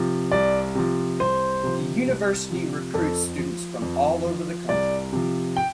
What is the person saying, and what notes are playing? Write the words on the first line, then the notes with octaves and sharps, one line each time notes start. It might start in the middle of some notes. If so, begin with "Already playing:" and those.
The university recruits students from all over the country.
Already playing: C3 F3
C2 D5
C3 F3
C2 C5
C3 F3
C2
C3 F3
F2 A4
F3
F2
F3
C2 D5
C3 F3
G5